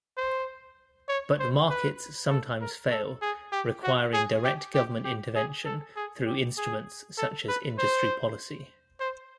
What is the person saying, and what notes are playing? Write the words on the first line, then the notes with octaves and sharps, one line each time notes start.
But markets sometimes fail, requiring direct government intervention through instruments such as industry policy.
C5
C#5
C5
B4
A4
A#4
A4
G#4
G4
F#4
G#4
G4
G4
G4
G#4
A4
G#4
G4
G#4
A4
B4
C5
C5